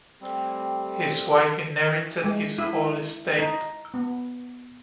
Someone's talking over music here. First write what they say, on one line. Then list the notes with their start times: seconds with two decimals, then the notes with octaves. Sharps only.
His wife inherited his whole estate.
0.21 G3 A3 C4 G4
2.24 G#3
2.59 E4
3.38 D#4
3.94 B3